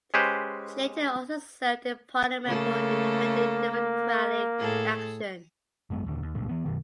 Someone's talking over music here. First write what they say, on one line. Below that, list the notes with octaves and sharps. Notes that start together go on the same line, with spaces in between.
She later also served in parliament for Independent Democratic Action.
G#3 C#4 G4 B4 C5
C#3 A3 A#3 A4
A2 G#4 A4
G#1 F#2 G#3 B3
D#1 D#2 D3
D#2
G#1 C#2 G2 A#2
E3 B3
F#2 B2 D#3